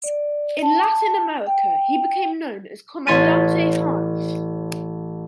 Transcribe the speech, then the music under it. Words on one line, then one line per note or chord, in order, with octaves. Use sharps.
In Latin America, he became known as "Commandante Hans".
D5
A5
G5
A1 C#5 C6 A6 B6 D#7